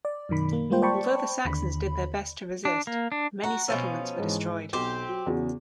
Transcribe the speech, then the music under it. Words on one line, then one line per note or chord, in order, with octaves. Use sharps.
Although the Saxons did their best to resist, many settlements were destroyed.
D5
F#2 B2 D#3 B5
A#3
G3 G#3 A#3 F4 C5 G5
C5 D5 G5 A5 B5 C#6
D#2 D3 B5
D4
A#3
D4
F#4 F#5 A#5
B2 F3 C#4 E6
G#2 E3
B1 C4 G4
F#3
E2 C#3 F#4